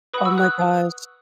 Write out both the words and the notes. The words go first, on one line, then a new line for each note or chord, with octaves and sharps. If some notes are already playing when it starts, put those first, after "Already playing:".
Oh my gosh.
B4 F#5 B5 D#6
C#6 E6
D#6 F#6